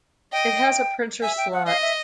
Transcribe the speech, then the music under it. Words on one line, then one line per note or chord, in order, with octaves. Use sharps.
It has a printer slot.
D#5 G5
E5 G#5
G5
F#5
D#5 F5
E5